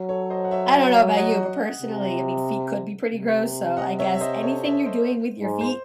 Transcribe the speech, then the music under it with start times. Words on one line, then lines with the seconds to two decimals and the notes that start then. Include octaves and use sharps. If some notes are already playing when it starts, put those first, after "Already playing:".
I don't know about you, but personally, I mean, feet could be pretty gross, so, I guess, anything you're doing with your feet
Already playing: F#3
0.09 A4 C#5
0.30 C5 D#5
0.45 F#5
0.51 C#5 E5
1.17 D#5 F#5
1.82 C3
3.12 C3
3.77 D#5 F#5
3.99 C#5 E5
4.14 E5
4.21 C5 D#5
4.43 A4 C#5
4.64 C#5 E5
4.86 C5 D#5
5.41 G#2
5.61 C5